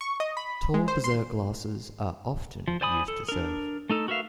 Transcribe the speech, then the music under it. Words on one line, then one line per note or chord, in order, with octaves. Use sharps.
Tall dessert glasses are often used to serve.
C#6
D#5
B5
G#3
C5
C6
F3
C5 D5 G#5 B5 D#6
A4
D4 A#4
A3 D#4 A4
F#4 A#4 B4 E5 F5